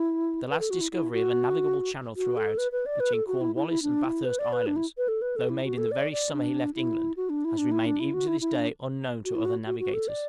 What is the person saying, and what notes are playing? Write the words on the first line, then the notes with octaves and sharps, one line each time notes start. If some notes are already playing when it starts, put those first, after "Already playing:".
The last discovery of a navigable channel throughout, between Cornwallis and Bathurst Islands, though made in the very summer he left England, has remained even to this day unknown to other navigators!
Already playing: E4
B4
A4
F#4
E4
E4
F#4
F#4
A4
B4
B4
D5
B4
A4
F#4
E4
E4
E4
D4
E4
B4
D5
B4
D4
E4
B4
A4
B4
A4
E4
F#4
A4
D5
D5
D4
E4
F#4
D4
E4
D4
E4
D4
E4
F#4
E4
E4
D4
F#4
E4
F#4
F#4
F#4
A4
D5